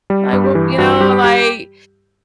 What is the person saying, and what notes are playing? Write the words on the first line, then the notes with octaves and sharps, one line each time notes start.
like, what" you know? Like,
G3
G2
G4
E3
G2 F#4
G3 G4
G4